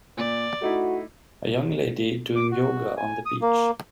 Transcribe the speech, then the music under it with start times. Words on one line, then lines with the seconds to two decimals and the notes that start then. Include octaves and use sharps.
A young lady doing yoga on the beach.
0.17 A#2 D5
0.62 A3 D#4 E4 F#4
2.36 D6
2.51 F#4
2.97 G#5
3.26 D#6
3.42 A#3